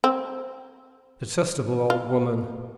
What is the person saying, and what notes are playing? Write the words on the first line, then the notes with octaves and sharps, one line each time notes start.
Detestable old woman!
C4
F4